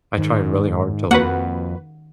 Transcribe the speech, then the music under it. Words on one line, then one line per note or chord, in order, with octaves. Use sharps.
I tried really hard to, like
G#2 D#3
F2 A#3 F#4 B4 F#5